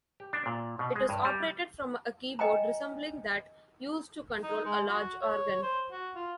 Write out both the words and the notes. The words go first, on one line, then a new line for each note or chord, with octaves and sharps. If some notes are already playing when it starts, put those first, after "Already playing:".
It is operated from a keyboard resembling that used to control a large organ.
G4
D4
A#2
B2
G#3
G2
G3
D#5 G5 G#5 A#5
D#4
G#3
F#4
C#5
C5
F#4
F4